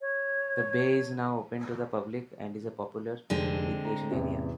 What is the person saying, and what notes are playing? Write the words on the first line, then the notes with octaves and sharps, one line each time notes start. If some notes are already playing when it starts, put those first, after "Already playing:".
The bay is now open to the public and is a popular recreation area.
C#5
F1 D3 G#3 C4
A#5
A1 E2 C3